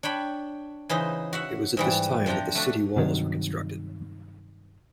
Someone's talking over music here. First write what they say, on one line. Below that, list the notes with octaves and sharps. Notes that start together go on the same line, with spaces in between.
It was at this time that the city walls were constructed.
D4 C#5 G5 B5
C#3 E3 D#4 C5
F#4 E5 F#5
G#2 E3 G3
C3 F3 D4 G5 A#5
A3 D4 F#4
G2 C3 D#3 F#3